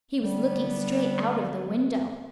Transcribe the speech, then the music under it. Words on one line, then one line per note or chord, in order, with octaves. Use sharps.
He was looking straight out of the window.
D3 G3 B3